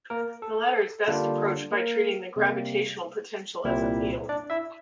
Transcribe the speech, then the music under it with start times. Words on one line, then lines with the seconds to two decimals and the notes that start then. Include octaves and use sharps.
The latter is best approached by treating the gravitational potential as a field.
0.10 A#3 A#4
0.42 A4
1.08 D3 G3 A#3 D4 F4
1.71 A#3 A#4
2.36 C3 G3 A#3
3.64 C2 A#2 G3 C4 E4
4.29 D4 D5
4.50 E4 E5